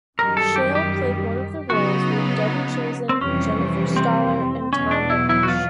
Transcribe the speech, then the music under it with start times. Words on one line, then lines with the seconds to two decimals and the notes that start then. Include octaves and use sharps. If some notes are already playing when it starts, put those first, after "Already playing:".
Shale played one of the roles with Debby Chazen, Jennifer Stoller, and Tom Berish.
0.18 F#2 D#3 G3 A#4
0.37 A4
0.56 G4
0.75 G4
1.70 C#3 F#3 B3 D#4 F#4
3.09 C4
3.21 F2 C3 E3 G3 C#4
3.96 C4
4.72 E2 B2 F#3 C#4
4.91 D4
5.10 E4
5.29 E4
5.43 F#4
5.48 F4